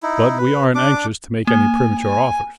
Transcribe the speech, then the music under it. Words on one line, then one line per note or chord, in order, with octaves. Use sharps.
But we aren't anxious to make any premature offers.
D#4 E4
B4
D4 D6
A#3 G#5
G#5